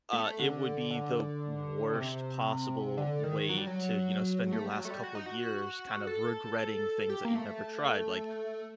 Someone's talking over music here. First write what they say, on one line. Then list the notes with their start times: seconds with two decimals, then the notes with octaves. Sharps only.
uh, it would be the worst possible way to, you know, spend your last couple years kind of regretting things that you never tried, like,
0.13 A3
0.39 D3
0.91 D3
1.93 C3
2.98 D3
3.24 D#3
3.49 F#3
3.58 G3
3.67 F#3
4.53 A3
4.65 G3
4.78 F#3
4.85 A3
4.90 G3
5.04 F#4
5.15 D#4
5.26 F#4
6.07 A4
7.10 G4
7.25 A#3
7.35 A3